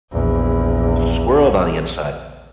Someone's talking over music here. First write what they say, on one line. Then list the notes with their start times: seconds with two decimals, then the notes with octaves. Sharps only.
Swirled on the inside.
0.11 A#1 E2